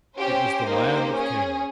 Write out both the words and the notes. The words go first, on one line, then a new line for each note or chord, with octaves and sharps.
It was the land of Canaan.
C#4 G4 C5
A#3 D#4 G4
C#4 G#4